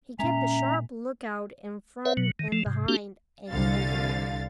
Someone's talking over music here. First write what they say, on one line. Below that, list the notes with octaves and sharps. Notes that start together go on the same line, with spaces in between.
He kept a sharp lookout in front and behind and went on.
A#2 G#3 C#4 E5 A#5
B4 C#5 E5 F#5
B2 F#3
D#3
F3 A3
G#2 C3
A#3 C4 D4 F#4 G4
C2 D3 F5 A6